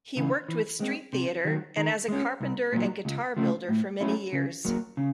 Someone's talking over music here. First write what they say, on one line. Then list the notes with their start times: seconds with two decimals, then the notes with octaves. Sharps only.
He worked with street theatre, and as a carpenter and guitar-builder for many years.
0.17 C#3 E3
0.49 E3
0.80 G#3 C4
1.13 C3
1.45 D#3 F#3
1.77 D#3
2.08 G#3 C#4
2.40 C2
2.73 A#2 F#3
3.05 C#2
3.37 C#3 F3 A3
3.68 A2
4.01 F#3 A3 C#4 E4
4.32 C#3
4.65 F#3 A#3
4.97 C#3